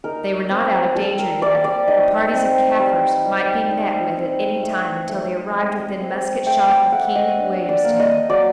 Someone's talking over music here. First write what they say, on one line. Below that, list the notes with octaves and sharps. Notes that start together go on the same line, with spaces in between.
They were not out of danger yet, for parties of Kaffirs might be met with at any time until they arrived within musket shot of King Williamstown.
D#4 A#4
C4
G3 A4
A#4
G3 D5
D5
D#4 D#5
C4
G3
G3
D#4
C4
A3
A3
D#4
C4
A3 G5
D6
A3 F#5
D#5
D4
D5
A#3
D#5
F#3 D5